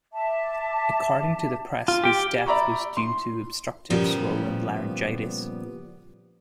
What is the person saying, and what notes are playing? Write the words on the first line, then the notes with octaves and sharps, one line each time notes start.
According to the press his death was due to obstructive swollen laryngitis.
E5 A5 D6
F4
G4 G5
D5 E5 A#5 B5 C#6
C6
A#2 C#3 F3 G3 B3